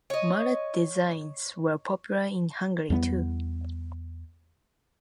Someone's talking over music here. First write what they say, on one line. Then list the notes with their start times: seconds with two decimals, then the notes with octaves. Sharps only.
Mallet designs were popular in Hungary, too.
0.10 C#5 D#5
2.90 E2 G3 A3 B3